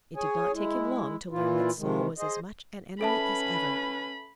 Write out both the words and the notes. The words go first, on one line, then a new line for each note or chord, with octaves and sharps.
It did not take him long to learn that Saul was as much an enemy as ever.
G#4 C#5 G#5
G#3 E4
A#2 E3 E4 F4
C3 D#3 G#3
G#4 C5 D#5
C#4 A4 B4 E5 A5 B5